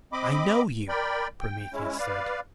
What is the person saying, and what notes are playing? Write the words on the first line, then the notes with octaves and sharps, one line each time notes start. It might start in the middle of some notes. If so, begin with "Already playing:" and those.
"I know you," Prometheus said.
C4 D#5 B5 D6
A#4 D5 G5 B5
G5
G#3 C#4 E4
B4 D5 F5